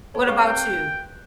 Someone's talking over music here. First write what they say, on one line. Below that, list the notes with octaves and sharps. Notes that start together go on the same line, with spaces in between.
What about you?
C#5
C4 G#4 B4 F5 G5 C#6
G5 F#6